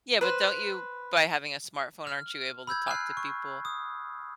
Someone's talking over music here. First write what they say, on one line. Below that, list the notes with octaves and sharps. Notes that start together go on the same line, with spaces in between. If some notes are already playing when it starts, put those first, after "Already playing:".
Yeah, but don't you by having a smartphone, aren't you able to talk to people
B4 C5
F6
B5 E6 G6 G#6
G#5 F6 F#6 C7
C#6
D#6